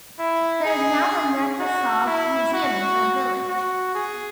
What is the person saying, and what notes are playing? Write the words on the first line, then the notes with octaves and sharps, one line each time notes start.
There is now a Nekrasov museum in the village.
E4
G#4
F#4
E4
F#4
F#4
G#4